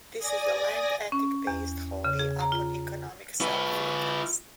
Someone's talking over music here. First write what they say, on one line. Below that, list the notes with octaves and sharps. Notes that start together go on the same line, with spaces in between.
This is a land ethic based wholly upon economic self-interest.
D5 G#5 D#6 A#6
C#4
E2
C#3
G#4
A#5
F4
F4 B4